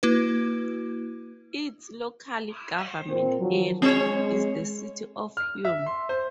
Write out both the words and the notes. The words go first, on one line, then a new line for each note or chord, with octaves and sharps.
Its local government area is the City of Hume.
A#3 E4 F#4 B4
A#2 C4
D#3 F3 F#3
G#3 C4 C#5
F6
E5
C6
C5